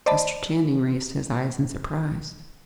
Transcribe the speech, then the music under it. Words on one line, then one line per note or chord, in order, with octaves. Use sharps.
Mr. Channing raised his eyes in surprise.
C5 D5 D#5 A5 B5